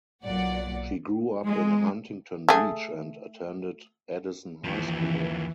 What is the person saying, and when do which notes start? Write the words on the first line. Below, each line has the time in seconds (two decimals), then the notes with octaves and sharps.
She grew up in Huntington Beach and attended Edison High School.
0.25 B1 A#2 F#3 D5 F#5
1.46 G#3
2.49 A3 G#4
4.64 D#2 E3 F3